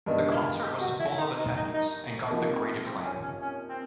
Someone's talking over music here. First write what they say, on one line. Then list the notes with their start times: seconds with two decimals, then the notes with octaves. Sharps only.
The concert was full of attendance and got the great acclaim.
0.06 G2 D#3 G#3 B3 D4
0.31 E4
0.35 F4
0.63 G4
0.81 F#4
1.00 E4
1.18 D#4
1.38 D#4
1.56 D#4
1.74 D#4
2.30 C3 F3 A#3 D#4
2.86 C4
3.05 C#4
3.23 C#4
3.42 C#4
3.70 C4